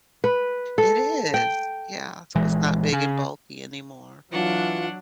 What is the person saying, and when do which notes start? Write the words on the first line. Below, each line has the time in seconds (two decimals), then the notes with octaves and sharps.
It is. Yeah so, it's not big and bulky anymore.
0.24 B4
0.78 A4
1.34 G5
2.35 A#1 E3 G#3
2.93 C#3
4.32 E3 F#3 D4 F4 F#5